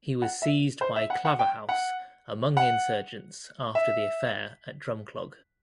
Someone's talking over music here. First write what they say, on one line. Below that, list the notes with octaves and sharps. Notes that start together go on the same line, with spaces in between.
He was seized by Claverhouse among the insurgents after the affair at Drumclog.
F#5
E5
C5
E5
F#5
F#5
G5
F#5
F#5
E5